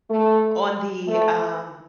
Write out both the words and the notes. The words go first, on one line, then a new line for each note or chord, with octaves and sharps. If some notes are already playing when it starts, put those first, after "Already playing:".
on the, um,
A3
A3